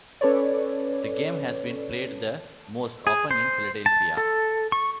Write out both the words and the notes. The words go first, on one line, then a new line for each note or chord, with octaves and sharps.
The game has been played the most often in Philadelphia.
C#4 A4 B4 C#5 D5
G#4
C5
A5
A4
C#6